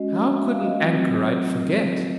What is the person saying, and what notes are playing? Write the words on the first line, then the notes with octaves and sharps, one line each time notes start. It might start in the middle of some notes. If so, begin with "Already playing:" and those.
How could an anchorite forget!
Already playing: G#3 C#4 F#4 D#5
D#5
E5
F5
D#5
F#3 A3 C4 F4